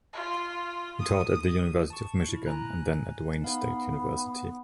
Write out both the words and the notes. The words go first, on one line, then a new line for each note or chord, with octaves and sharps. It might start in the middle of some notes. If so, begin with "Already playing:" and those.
He taught at the University of Michigan and then at Wayne State University.
F4
D#6
A5 C#6
E4
G#5 A#5 F#6
B3 D#4 F5